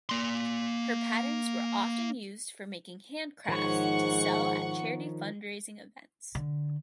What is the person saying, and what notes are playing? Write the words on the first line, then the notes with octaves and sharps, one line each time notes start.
Her patterns were often used for making handcrafts to sell at charity fundraising events.
A#3 C6
G#2 D#3 F3 C#5 F#5 C#6
D3